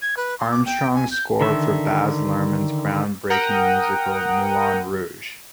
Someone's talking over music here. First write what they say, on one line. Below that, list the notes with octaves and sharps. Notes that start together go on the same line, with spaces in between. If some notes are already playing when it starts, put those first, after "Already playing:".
Armstrong's score for Baz Luhrmann's groundbreaking musical Moulin Rouge!
G#6
B4
C6
D6
G5
G#5
G6
D3 D#3 E5
A#4 F#5 G5 A#5 D#6